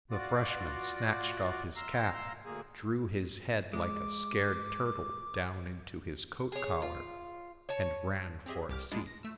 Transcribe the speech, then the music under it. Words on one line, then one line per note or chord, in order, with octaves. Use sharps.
The freshman snatched off his cap, drew his head like a scared turtle down into his coat collar, and ran for a seat.
F4 F#4 D5
F5 A#5 C6 E6
D2 A#3 G#4
G#3 D6
G#4 C#5
F4
C#5 A5
C4 G4 G#4 D#5 E5
C2 G4 D6 F6
G3 G#3 D4 E4 F4 G#4
A#6
A3 E6